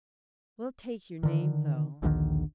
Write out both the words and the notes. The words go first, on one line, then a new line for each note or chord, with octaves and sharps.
"We'll take your name, though."
D3 D#3
A#1 D#2 D3 D#3